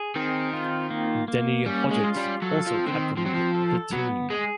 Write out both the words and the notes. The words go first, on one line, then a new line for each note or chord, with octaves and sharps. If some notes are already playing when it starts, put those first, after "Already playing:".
Denny Hodgetts also captained the team.
Already playing: G#4
D#3 C4
F4
A#3
A#3
G3 C#4
G#3
F4
G3
F#3 A4
F3
C4
D3
D#3
F3 C4
F#3
F3
A4
F#3 B3
G#3 G#4